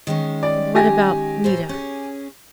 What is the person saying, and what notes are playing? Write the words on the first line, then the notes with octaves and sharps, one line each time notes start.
"What about--Nita?"
D#3 G#3 C#4
D5
G4 G#5 A#6
A2 C5
C#4 G#4